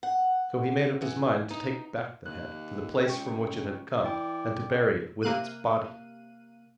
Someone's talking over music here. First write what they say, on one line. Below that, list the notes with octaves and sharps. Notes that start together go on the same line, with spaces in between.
So he made up his mind to take back the head to the place from which it had come, and to bury it with its body.
F#5
E3
D#4
D#2 F#6
C#2 G5 C#6
E3 D5 G5 D6
C3 A#3 F5 F#6 D#7